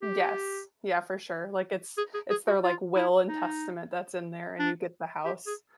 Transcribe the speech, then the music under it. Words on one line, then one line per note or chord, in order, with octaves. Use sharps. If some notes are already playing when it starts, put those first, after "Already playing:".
Yes. Yeah, for sure, like, it's it's their, like, will and testament that's in there, and you get the house.
G4
G#4
G#4
G#4
F#4
F4
E4
D#4
D4
G4
G#4